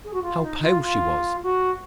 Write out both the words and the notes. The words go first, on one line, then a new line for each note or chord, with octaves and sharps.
How pale she was!
G#4
F#4
F4
D#4
F4
F4
F#4